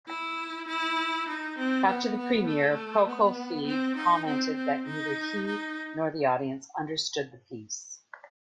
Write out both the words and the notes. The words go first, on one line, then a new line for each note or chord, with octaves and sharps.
After the premiere, Prokofiev commented that neither he nor the audience understood the piece.
E4
E4
D#4
C4
B3
B3
A3
B3
C4
D#4
C4
C4
D#4
D#4